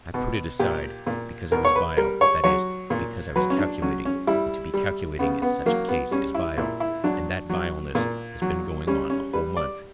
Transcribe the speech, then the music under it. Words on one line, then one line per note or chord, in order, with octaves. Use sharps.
"I put it aside because I was vile, that is, because I was calculating, and to be calculating in such a case is vile ... and that vileness has been going on a whole month."
B2
A#2 G4
A#2
B2 A#4
C#5
B4
G3 A#4
C#5
F#3 C#5
A#2
F#3 B4
C#4
D4
F#3 C#4
C#4
G3 E4
G3
C#3 B3
B3
F#3 A#3
B3
G3 C#4
E4
A#2 E4
E4
F#3 D4
F#3
A#2
F#3
G3 C#4
C#4
G3 B4
D5